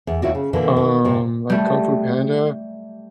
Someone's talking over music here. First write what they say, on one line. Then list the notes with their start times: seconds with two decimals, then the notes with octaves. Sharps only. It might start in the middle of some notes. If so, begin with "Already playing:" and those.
um, like Kung Fu Panda.
0.07 E2
0.22 D#2 E4 F#4 D5
0.35 C#3
0.53 B2 D3 E3 A#3
0.76 D#3
1.05 G#2 C3
1.50 G3 A3